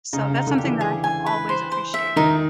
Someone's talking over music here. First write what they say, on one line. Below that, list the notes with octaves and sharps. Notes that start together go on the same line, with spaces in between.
So, that's something that I have always appreciated,
C#3 D#4
C#3
D#4
D3
G4
E3
G#4
G#5
B4
C5
C5
E5
D#3 D#4